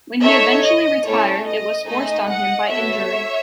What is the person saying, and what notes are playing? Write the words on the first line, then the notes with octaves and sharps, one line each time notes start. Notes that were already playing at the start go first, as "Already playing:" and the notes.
When he eventually retired, it was forced on him by injury.
D#4 A4 C#5 E5
D#5
A3 C#4 E4 A4 C#5
D#5
A3 D#4 G#4 D#5
D#5 F#5
B3 F#4 A4 C#5 E5